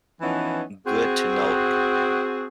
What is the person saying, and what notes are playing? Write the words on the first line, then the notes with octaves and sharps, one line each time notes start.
good to note,
E3 F3 B3 C#4 D#4 E4
C4 F#4 G#4